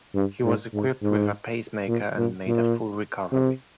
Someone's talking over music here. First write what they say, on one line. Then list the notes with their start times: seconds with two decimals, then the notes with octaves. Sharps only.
He was equipped with a pace maker and made a full recovery.
0.15 G2
0.45 G#2
0.74 G#2
1.03 G#2
1.88 A#2
2.18 A#2
2.47 A#2
3.32 C3